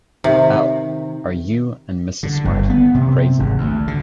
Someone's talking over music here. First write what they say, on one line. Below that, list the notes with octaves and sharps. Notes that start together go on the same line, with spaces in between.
Al, are you and Mrs. Smart crazy?
C3 D#3
D3
G1
B3
C3
G#1
D2
D3